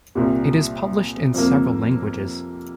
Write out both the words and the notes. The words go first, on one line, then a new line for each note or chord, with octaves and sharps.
It is published in several languages.
C2 A#2 G3
F2 C3 A#3